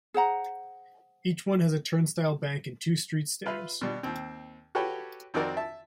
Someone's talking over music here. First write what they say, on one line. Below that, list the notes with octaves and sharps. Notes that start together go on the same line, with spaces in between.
Each one has a turnstile bank and two street stairs.
G#4 C5 F#5 A#5
F4 B4 E5
B2 G3
D#2 C4
F#4 G4 A4 B4 C#5 G5
F2 C4 D#4 F#4 A#4 D5
E5 A5